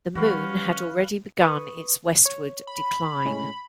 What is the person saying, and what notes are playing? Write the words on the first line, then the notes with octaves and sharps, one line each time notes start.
The moon had already begun its westward decline.
E3 G3 C#4 F#4 B4 F5
B4 C#6 D#6
C#5
B5
A2 G#3 C#4